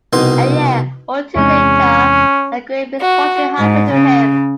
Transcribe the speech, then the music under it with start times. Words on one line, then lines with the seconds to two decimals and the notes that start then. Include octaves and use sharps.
A year or two later a great misfortune happened to him.
0.13 C2 B2 D#4 C6
1.36 E2 C3 G#3 C#4
3.02 F#4
3.58 G#2
3.91 C#3